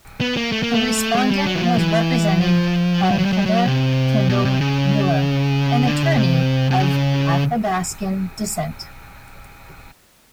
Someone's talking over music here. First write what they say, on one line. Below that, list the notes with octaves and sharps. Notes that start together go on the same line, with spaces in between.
The respondent was represented by Heather Kendall-Miller, an attorney of Athabascan descent.
B3
A#3
A3
A#3
A3
G#3
G3
F#3
E3
F3
E3
F3
F#3
G3
F#3
G3
F#3
G3
F#3
C3
B2
C3
C#3
D3
C#3
C3
C3
C#3